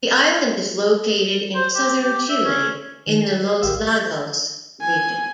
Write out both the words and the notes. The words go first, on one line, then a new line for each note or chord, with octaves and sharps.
The island is located in southern Chile, in the Los Lagos Region.
C5
G4
G4
E5
C#4
D#3
C7
A1 D#3 G4 F5 E6
G#5